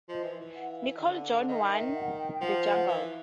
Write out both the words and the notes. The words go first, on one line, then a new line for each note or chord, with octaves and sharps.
Nicol joined One the Juggler.
F3 D#5
E3
E3
F#5
F5
E5
D#3 F5
D3
D#3 D#5
E5
F#5
G5
G5
F3 F#5
F#5
E3 F5